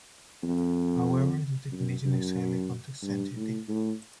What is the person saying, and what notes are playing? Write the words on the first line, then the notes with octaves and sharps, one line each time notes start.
However, the definition is highly context-sensitive.
F2
F#2
F#2
G2
A2
A2